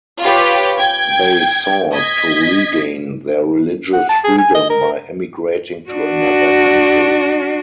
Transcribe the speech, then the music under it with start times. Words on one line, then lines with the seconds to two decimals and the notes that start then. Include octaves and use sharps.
They sought to regain their religious freedom by emigrating to another country.
0.21 F4 G4 B4 C#5
0.78 G5 G#6
1.93 D#5 G#6 B6
3.93 F#5
4.09 A5
4.24 G#4
4.38 G#5
4.55 D#5
4.70 A#4
5.90 D4 F#4